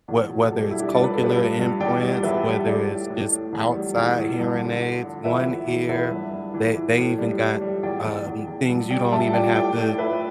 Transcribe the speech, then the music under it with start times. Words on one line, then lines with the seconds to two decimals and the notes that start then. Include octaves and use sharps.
whe whether it's cochlear implants, whether it's just outside hearing aids, One Ear, they they even got, um, things you don't even have to
0.08 E2
0.29 B2
0.51 G3 A4
0.61 G4
0.71 G3 E4
0.80 D4 G4
0.94 G2 D5
1.04 B4
1.14 G2 A4
1.23 G4 B4
1.37 G2
1.59 G2
1.80 E2 D5 G5
2.02 G3
2.23 E2 B4 E5
2.46 G3
2.66 G3 A4 D5
2.89 A2
3.09 A2
3.31 A2
3.52 E2
3.74 G3
3.95 E2
4.17 E3
4.38 G2
4.60 D3
4.81 D3
5.03 D3
5.24 E2 B4 E5
5.46 E3
5.67 E2
5.89 E2 B4 E5
6.11 G2
6.32 G2
6.54 E3
6.75 E3
6.97 A2
7.18 G3
7.40 G3
7.61 G3
7.83 E2 D5 G5
8.05 E2
8.26 E2
8.47 E2
8.69 G2
8.90 G3 D5 G5
9.12 G2 E5 A5
9.33 G3 D5 G5
9.55 A2 D5 G5
9.77 A2
9.98 A2 B4 E5